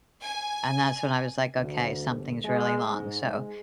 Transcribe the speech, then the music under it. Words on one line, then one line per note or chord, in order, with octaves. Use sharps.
And that's when I was like, "Okay, something's really long," so
G#5
D2
G1
G#3
G#2
G#3